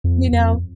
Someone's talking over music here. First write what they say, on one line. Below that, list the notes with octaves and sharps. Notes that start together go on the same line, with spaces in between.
you know,
F2
F2